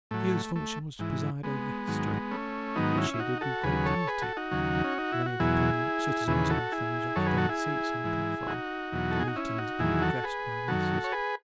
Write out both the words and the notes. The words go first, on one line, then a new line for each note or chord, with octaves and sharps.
Clio's function was to preside over history--which she did with great dignity, many of the prominent citizens of Athens occupying seats on the platform, the meetings being addressed by Messrs.
A2 F#3 A3
A3
G#2 E3
G#3 B3
G#2 D#3 F#3
A3 C#4
G#2 D#3 F#3 B3 D#4
C#4 E4
E4
D#4 F#4
F#4 A4
D#2 C#3 F#3 G#4 B4
A4 C#5
G#4 B4
F#4 A4
D#4 F#4
D#2 C#3 F#3
C#4
D#4
E4
F#4
E2 B2 F#3 E4 G#4
D#2 C#3 E3 G#4 B4
F#4 A4
E4 G#4
F#2 D#3 F#3 A4 C#5
G#4 B4
F#4 A4
E4 G#4
G#2 E3
D#4 F#4
E2 B2 F#3
A4
G#4
F#4
C#4 E4
D#4 F#4
E2 D#3 F#3 E4 G#4
F#4 A4
G#4 B4
F#2 D#3 F#3 F#4 A4
C#5
G#4 B4